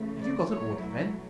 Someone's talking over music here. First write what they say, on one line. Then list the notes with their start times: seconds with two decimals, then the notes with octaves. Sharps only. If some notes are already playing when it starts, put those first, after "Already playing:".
"Have you got an order, then?"
Already playing: C#3 E3 A3
0.20 D5
0.49 B2 F#3 A3 C#5
0.79 E4